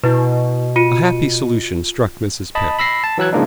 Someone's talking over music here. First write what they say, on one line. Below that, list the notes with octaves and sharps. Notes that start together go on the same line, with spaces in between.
A happy solution struck Mrs. Pett.
B2 E4 B4
F4 C#7 D#7
D#5 A5 B5
B5 E6 A#6 C7
A5
E3 F#3 E6 F#6 G#6
C#3 F3 G#3 A#3 D4 D#4